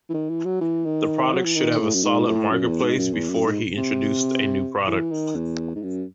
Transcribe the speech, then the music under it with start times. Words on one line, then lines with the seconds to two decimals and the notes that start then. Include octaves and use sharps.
The products should have a solid market place before he introduced a new product.
0.10 E3
0.14 D#3
0.29 E3
0.45 F#3
0.61 E3
0.85 D#3
1.34 F#3
1.45 E3
1.56 D#3
1.80 A2
1.94 F#2
2.03 G#2
2.27 A2
2.50 F#2
2.66 E2
2.82 G#2
2.98 F#2
3.13 E2
3.29 F#2
3.45 G#2
3.77 C3
4.88 E3
5.12 D#3
5.35 E2
5.76 G#2
5.83 F#2